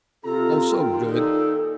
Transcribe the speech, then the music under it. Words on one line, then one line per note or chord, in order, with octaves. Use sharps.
Oh, so good.
C3 F4 A4 A#5
D#2 A#2 G5
D#4 A4